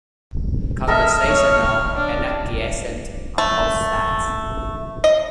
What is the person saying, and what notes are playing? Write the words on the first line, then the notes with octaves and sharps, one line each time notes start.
Conversational and acquiescent on both sides.
A4 A#4 D#5 E5 F6
C#5
D4
A3
D#5